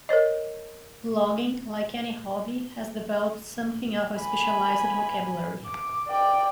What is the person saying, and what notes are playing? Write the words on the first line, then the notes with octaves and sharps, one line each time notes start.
Blogging, like any hobby, has developed something of a specialised vocabulary.
A#4 C5 C#5 D#5
G#5 B5
D6
D5 G5